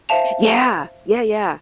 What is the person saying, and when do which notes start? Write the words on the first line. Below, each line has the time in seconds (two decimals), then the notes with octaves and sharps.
Yeah! Yeah, yeah.
0.09 C5 E5 F5 A5 F7